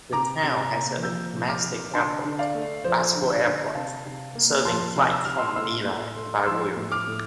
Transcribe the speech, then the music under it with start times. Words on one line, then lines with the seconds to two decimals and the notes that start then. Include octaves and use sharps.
The town has a domestic airport, Basco Airport, serving flights from Manila and Baguio.
0.13 C3 A#5 D6
0.43 C3
0.74 A#3
1.03 F3 E6 G6
1.34 C3
1.49 D6 F6
1.63 C3
1.94 D3 A5 C6
2.24 D3
2.39 D5 F5
2.55 A3
2.84 F3 C5
3.15 D3
3.45 D3
3.75 C3 F5 A5
4.05 C3
4.35 A#3
4.65 F3 A5 C6
4.96 C3
5.11 E6
5.25 C3 F6
5.38 C6 E6
5.56 A2 C6 E6
5.86 A2
6.16 A3
6.46 F3 C6 E6
6.76 A2
6.92 D6 F6
7.07 A2